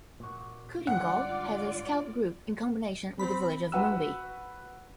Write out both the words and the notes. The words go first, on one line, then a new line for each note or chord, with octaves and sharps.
Kootingal has a Scout group in combination with the village of Moonbi.
A#2 F#4
G#2 D3 G3 F4 D5 F#5
C4 B5
F#4 B4 F#5 B5 E6